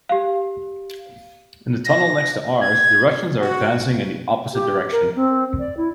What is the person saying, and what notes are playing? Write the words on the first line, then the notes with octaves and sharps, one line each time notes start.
In the tunnel next to ours, the Russians are advancing in the opposite direction.
G4 F5
A#6
G#6
F#4
G4
A#4
C4
D5
E4